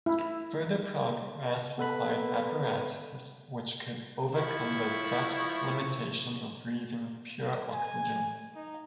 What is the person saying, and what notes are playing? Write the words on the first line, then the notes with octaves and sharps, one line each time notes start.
Further progress required apparatus which could overcome the depth limitation of breathing pure oxygen.
E4
B3 A4 B4 B5
F3 E4 C#6
G#5
D#4